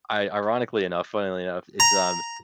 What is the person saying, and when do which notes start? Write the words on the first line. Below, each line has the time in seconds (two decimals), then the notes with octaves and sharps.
i ironically enough, funnily enough, it's, um,
1.80 A#5